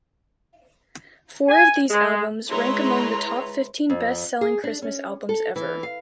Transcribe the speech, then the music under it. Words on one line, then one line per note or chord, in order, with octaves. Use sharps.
Four of these albums rank among the top fifteen best-selling Christmas albums ever.
G#5
G#3
G#3 E4 B4 C#5 A#5 C6
F2
G#4
D4
C#4
A4
E3
F5